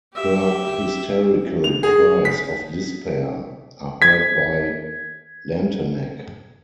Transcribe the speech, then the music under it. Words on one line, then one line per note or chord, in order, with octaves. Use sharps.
Her hysterical cries of despair are heard by Lantenac.
G4 E5
F7
G#4
B6
G#6 B6